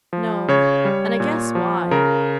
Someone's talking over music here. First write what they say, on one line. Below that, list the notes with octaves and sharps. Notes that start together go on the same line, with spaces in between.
'No; and I guess why.
F3
C#3 C#5
G3
A#2
F3
C#3 A#4